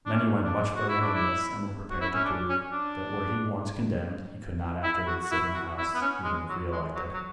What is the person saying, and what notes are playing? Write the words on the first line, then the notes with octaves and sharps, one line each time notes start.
Many went much further than this, and were prepared to prove that were he once condemned he could not afterwards sit in the House, even if re-elected.
D4
C#4
D4
F#4
E4
D4
E4
F#4
E4
C#4
D4
C#4
D4
E4
F#4
F#4
E4
F#4
E4
B3
C#4
G#3
F#3
G#3
F#3
F#3